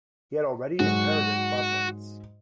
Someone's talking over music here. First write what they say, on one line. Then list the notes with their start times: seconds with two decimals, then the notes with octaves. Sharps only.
He had already inherited Broadlands.
0.79 G#2 F#3 G#3 F#4